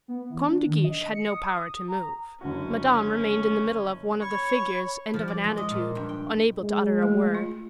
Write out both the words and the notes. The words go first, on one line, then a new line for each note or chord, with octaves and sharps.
The Comte de Guiche had no power to move; Madame remained in the middle of one of the figures and of an attitude, unable to utter a word.
B3
E3
D4
D#3
D#5
C#7
D#6
A#5
F#1 D3 C#4 F#4
C#5 B5 C#6
F3
D5
G#3
D#5
A#2
G2
G5
G#3
A3
F4